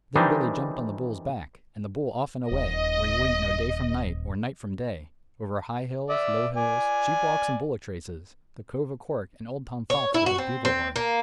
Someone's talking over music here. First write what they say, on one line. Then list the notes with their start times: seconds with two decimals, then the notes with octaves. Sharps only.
Then Billy jumped on the bull's back, and the bull off and away, where you wouldn't know day from night or night from day, over high hills, low hills, sheep walks and bullock traces, the Cove o' Cork, and old Tom Fox with his bugle horn.
0.16 D#3 E3 G3 C4 D4 D#4
2.51 D#1 D#5
6.10 D5 E5
6.57 D5 G#5
9.90 C#5
10.14 E4
10.26 F#4
10.38 C4
10.65 C4
10.96 A#3